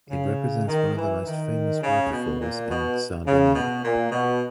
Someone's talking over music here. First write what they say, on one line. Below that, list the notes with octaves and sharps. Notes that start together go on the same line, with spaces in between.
It represents one of the most famous waterfalls in Sardinia.
C#3
D#3
E3
D#3
C#3
B2
A#2
B2
C#3
B2
A#2
B2